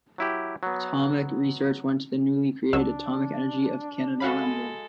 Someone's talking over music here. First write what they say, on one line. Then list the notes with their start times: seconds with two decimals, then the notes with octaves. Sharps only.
Atomic research went to the newly created Atomic Energy of Canada Limited.
0.18 F#3 E4 G4
0.63 F#3 B3
2.73 C#2 F#3 D4 E6
4.20 G#3 F#4 A4 F5 B5